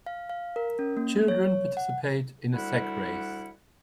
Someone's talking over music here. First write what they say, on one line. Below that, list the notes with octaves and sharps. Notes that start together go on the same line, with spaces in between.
Children participate in a sack race.
F5
F5
A#4
C#4
A#3
C#5
F#5
D2 G3 E4 F#5